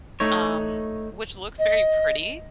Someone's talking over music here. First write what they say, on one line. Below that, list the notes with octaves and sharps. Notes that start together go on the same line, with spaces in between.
um, which looks very pretty
A3 D#4 C#5
D#5